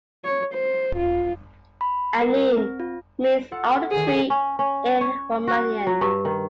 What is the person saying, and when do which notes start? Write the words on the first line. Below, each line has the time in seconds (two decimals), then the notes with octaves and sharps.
"Anin" means "alder tree" in Romanian.
0.25 C#5
0.54 C5
0.97 F4
1.81 B5
2.21 A#4
2.58 C4
2.80 F4
3.52 F4 A4 F#5
3.91 D2 D#3 G#4
4.30 C#4
4.59 C#4
5.01 C#5
5.47 F#4
5.87 F#3
6.01 G2
6.25 D#3